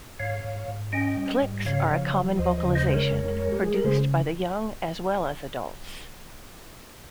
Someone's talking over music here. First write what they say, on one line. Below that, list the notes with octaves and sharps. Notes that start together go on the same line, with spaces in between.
'Click's are a common vocalization, produced by the young as well as adults.
G#2 C#5 F5
G#2
G#2
C#4 D#5 G5
G3
G#2
C#3 C#5 F5
F3
F3
D#2 C5 D#5
C5 D#5
C#3
C5 D#5
G#3 C5
A#4 C#5
F2
G#3
G4
G#3 G#4
A#4
C#3 G#4 C5